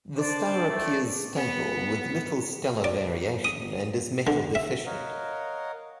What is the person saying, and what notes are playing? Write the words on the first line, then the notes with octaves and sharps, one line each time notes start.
The star appears stable, with little stellar variation, and is metal-deficient.
D4 C5 D5
A3 D5
B3
D5
D#6
D3
E5
A#4 C#5 D#5 F5 F#5